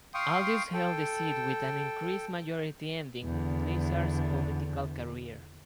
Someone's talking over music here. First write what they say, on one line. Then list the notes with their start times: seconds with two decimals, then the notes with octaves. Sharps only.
Aldous held the seat with an increased majority ending Blizzard's political career.
0.14 F5 G5 C6 C#6 D#6
0.74 A4 G5
3.24 E2 D3